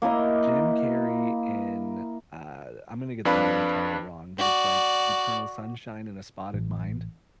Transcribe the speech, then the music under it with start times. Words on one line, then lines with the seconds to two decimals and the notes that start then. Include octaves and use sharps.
Jim Carrey in uh, I'm gonna get the movie title wrong, but it's like Eternal Sunshine in a Spotted Mind.
0.02 A#3 E4 A#4 D#5
3.25 F2 D4 B4 F5 B5
4.38 F#4 D5
6.54 A1